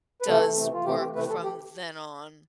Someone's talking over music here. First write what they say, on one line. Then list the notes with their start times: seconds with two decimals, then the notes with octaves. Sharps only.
does work from then on
0.22 B4
0.28 C3 E3 A3 C4 A4
0.56 C3 E3 A3 C4
0.74 F4
0.86 C3 E3 A3 C4 G4
1.00 G4
1.15 C3 E3 A3 C4 B4
1.30 A4
1.44 G4